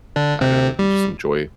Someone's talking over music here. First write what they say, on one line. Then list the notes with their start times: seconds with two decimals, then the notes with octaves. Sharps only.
I don't know, we just enjoy
0.16 D3 D4
0.41 C3 C4
0.79 G3